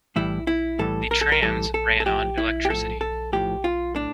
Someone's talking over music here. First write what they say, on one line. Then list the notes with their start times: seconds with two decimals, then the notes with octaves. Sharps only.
The trams ran on electricity.
0.16 A2 E3 G3 E4
0.47 E4
0.79 A2 E3 G3 A4
1.11 A#4
1.21 A4
1.32 A#4
1.42 A2 E3 G3 A4
1.74 A4
2.00 A4
2.06 A2 F3 G4
2.38 E4
2.65 G4
2.69 A2 F3 A4
3.01 A4
3.33 A2 F3 G4
3.64 F4
3.96 A2 D4